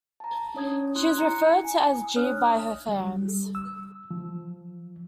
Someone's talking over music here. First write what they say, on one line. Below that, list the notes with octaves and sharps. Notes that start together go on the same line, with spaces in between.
She is referred to as "Jee" by her fans.
A5 A#5
C#4 D4 C#5 D#6 G#6
E4 C6 F#6
E4 A#5 C#7
G#5
D4 C#5 D#6 F6 F#6
G3
E6
F3